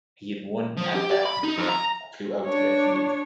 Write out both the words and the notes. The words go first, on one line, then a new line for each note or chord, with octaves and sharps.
He had one at-bat in the game, and flew out to left field.
F3
G4
D5
B5
D#4
F2
A#5
D4 C#5